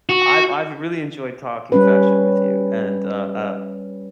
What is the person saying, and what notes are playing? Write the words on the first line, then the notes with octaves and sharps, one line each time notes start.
I've I've really enjoyed talking fashion with you, and, uh, uh,
F#4
G3 C#4 B4